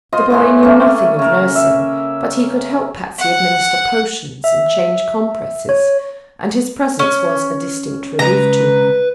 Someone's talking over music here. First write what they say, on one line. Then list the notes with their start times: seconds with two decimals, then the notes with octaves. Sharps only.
The boy knew nothing of nursing, but he could help Patsy administer potions and change compresses and his presence was a distinct relief to her.
0.12 F4 C5 D#5 C6
0.30 A2 E3 C6
0.63 A3 A#3 C#4
1.19 C#3 A#4
1.55 E5
3.19 F#5
4.44 E5
5.69 C#5
6.99 C#4
8.19 C#3 G#3 B4 A#5